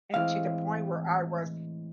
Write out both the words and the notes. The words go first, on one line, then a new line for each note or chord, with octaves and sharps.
and to the point where I was
A2 E3 G#3 C4 E4 F5